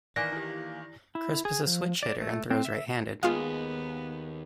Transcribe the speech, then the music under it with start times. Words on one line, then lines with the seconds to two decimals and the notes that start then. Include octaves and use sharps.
Crisp is a switch-hitter and throws right-handed.
0.16 D#3 E3 A#3 D5 G#5 F#6 A#6 B6
0.32 E4 G4
1.15 E4
1.45 G#4
1.67 F3
2.03 D5
2.21 A3
2.51 C4
2.65 E5
3.23 D#2 G#3 B3 F4 F5